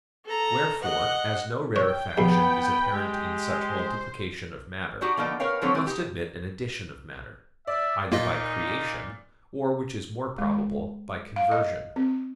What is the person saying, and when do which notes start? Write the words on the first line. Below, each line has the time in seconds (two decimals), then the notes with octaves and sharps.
Wherefore, as no rarefaction is apparent in such multiplication of matter, we must admit an addition of matter: either by creation, or which is more probable, by conversion.
0.25 A4 A#5
0.82 D#5 F#5
1.76 C#5 G5
2.18 A#1 D#2 B3 B4
2.93 G#3 G4
3.69 C5
5.01 D4 D#4 F#4 G4
5.17 D3 F3 A#3 B3 D#4
5.40 A#4 B4 C#5 F5 G5
5.62 F3 F#3 A#3 C4 A4 C#5
5.74 G#3 C4
5.87 D#4 G4
7.67 D5 E5
8.12 A#2 A#3 D#4 F4 D#5
10.38 G#3
11.36 F5
11.52 D#5
11.96 C4